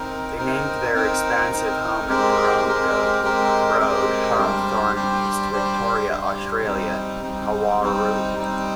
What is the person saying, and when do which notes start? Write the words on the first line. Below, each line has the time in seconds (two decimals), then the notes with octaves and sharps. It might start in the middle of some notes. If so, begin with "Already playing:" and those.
They named their expansive home in Tooronga Road, Hawthorn East, Victoria, Australia; "Kawarau".
Already playing: C4 D#4 A#4
0.37 C4 D#4 A#4
0.95 C4 D#4 A#4
1.52 C4 D#4 A#4
2.09 G#3 C4 G4 A#4
2.66 G#3 C4 G4 A#4
3.23 G#3 C4 G4 A#4
3.80 G#3 C4 G4 A#4
4.38 G3 D4 G4 C5
4.94 G3 D4 G4 C5
5.52 G3 D4 G4 C5
6.09 G3 D4 G4 C5
6.66 G3 C4 D#4
7.23 G3 C4 D#4
7.80 G3 C4 D#4
8.37 G3 C4 D#4